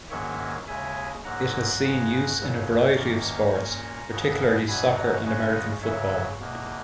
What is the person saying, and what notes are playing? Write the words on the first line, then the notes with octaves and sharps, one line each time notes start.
It has seen use in a variety of sports, particularly soccer and American football.
G#2 D#3 F#3 A#3 C#4 C#5 E5
D#2 C#3 G#3 E5 G#5
G#2 F#3 A#3 F#5 A#5
C#3 G#3 C#4
D#2 C#3 F#3 C#4
E2 D#3 A#3 C#4 A#5 C#6
A#2 A#3 C#4
D#2 C#3 F#3 B3
E2 B2 F#3 C#4 G#5 B5
F#5 A#5
C#3 G#3 C#4 D#5 F#5
E2 C#3 F#3 C#5 E5
E2 B2 A#3